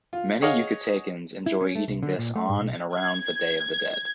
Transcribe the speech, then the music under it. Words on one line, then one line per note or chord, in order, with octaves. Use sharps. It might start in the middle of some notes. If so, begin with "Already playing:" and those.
Many Yucatecans enjoy eating this on and around the Day of the Dead.
F4
G#4 C#5 D#5 F5 F#5
E4
C#4
A3
C2
D3
A#2
A3
G#2
B1
G#6